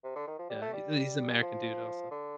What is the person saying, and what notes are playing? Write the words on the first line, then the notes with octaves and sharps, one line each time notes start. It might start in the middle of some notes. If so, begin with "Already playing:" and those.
Yeah, he's a he's American dude, also.
C3
D3
D#3
F3
G3
A3
G3
F3
D3